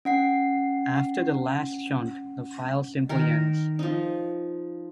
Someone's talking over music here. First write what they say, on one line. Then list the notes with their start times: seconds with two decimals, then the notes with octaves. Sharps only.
After the last chunk the file simply ends.
0.05 C#4 F#5 C7
3.09 D#3 A#4
3.79 F3 D#4